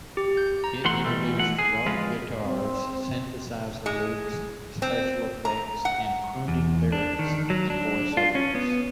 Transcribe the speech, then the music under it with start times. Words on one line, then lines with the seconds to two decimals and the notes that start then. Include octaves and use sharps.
It introduced rock guitars, synthesizer loops, special effects, and crooning lyrics and voice overs.
0.17 G4
0.37 G6
0.64 A#5
0.85 E3 A3 F#5 C6
1.04 B2 E3 G3 A3
1.38 E3 A3 F#5
1.59 G#4
1.86 F2 G#3 F4 B4
2.44 C4
3.86 G#3
4.82 C4
5.45 A#5
5.85 F#5
6.48 E2
6.92 D4
7.19 D#3
7.50 F#3
7.70 D4
8.17 F4
8.35 C#4
8.55 B3